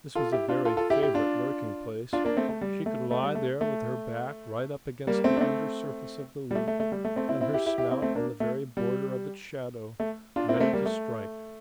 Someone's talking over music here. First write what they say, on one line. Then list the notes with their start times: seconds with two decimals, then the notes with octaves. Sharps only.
This was a very favourite lurking-place; she could lie there with her back right up against the under surface of the leaf, and her snout on the very border of its shadow, ready to strike.
0.15 F4 A4
0.32 E4 G4
0.48 D4 F4
0.65 F4 A4
0.77 F4 A4
0.90 E4 G4
1.02 E4 G4
1.14 D4 F4
2.13 D4 F4
2.25 A#3 D4
2.37 A3 C4
2.49 A3
2.61 G3
2.86 A3
3.11 A3
3.23 G3
3.35 A3
3.61 A3
5.07 G3 A#3
5.24 A3 C4
5.37 D4
5.41 A3 C4
6.51 G3
6.55 A3
6.68 A3
6.80 A3
6.92 G3
7.05 A3
7.16 A3 C4
7.29 C4 E4
7.41 C4 E4
7.53 E4 G4
7.66 E4 G4
7.78 E4 G4
7.90 C4 E4
8.02 A3 C4
8.15 A#3 D4
8.40 A3
8.77 G3
10.00 A3
10.36 D4 F4
10.48 C4 E4
10.56 A#3
10.60 A3 C4
10.73 G3 A#3
10.86 A3